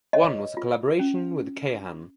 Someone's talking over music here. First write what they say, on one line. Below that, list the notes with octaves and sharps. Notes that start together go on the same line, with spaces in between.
One was a collaboration with Kayahan.
C#5 D#5
F4
C#4